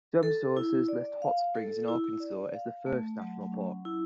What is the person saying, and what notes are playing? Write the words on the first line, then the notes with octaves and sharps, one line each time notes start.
Some sources list Hot Springs in Arkansas as the first national park.
A4
E4
D5
F5
A4
E4
D5
F5
A3
F#3
C#4
E4